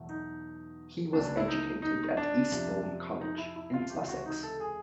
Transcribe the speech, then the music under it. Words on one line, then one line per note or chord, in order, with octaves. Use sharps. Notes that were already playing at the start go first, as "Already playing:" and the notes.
He was educated at Eastbourne College in Sussex.
Already playing: E2 B2 F#3 A3
D#4
C#2 C#3 F#3 A#3 D4
E4
D#4
D#4
D4
F2 C3 F3
D#4
E4
E4
F4
C#2 C3 E3 G4
F4
F#4
D#4
A4
G#4